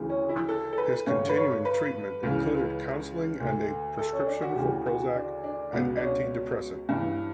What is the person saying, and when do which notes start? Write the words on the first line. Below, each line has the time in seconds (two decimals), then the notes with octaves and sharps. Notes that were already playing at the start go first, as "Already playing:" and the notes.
His continuing treatment included counseling and a prescription for Prozac, an anti-depressant.
Already playing: D2 C#3 E3
0.09 C#4
0.29 E4
0.49 A4
0.73 A4
0.78 B4
1.07 G2 D3 C#5
1.29 B4
1.36 C#5
1.65 B4
2.23 C#2 C#3 E3
3.40 D2 D3
3.99 A4
4.13 C#4
4.27 D4
4.42 F#4
4.56 D2 C#3 E3 G4
4.86 F#4
5.15 D4
5.44 D4
5.73 C#2 B2 B3
5.97 D4
6.03 C#4
6.89 G2 E3